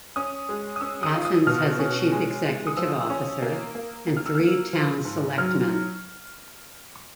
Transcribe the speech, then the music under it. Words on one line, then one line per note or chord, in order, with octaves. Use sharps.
Athens has a chief executive officer and three town selectmen.
C#4 D#6
G#3
D#6
C#4 E6
D#6
F4
D#6
B2 F6
C#4
G#3
G#3
D#6
F3 E6
C#4
A#3
A#3
A#3
F6
E6
A#3 F6
F3
G#2
F#3 F6